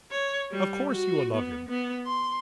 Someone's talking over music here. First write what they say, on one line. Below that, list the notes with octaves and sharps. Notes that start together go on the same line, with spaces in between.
Of course, you will love him.
C#5
G3
F#4
B3
B3
C6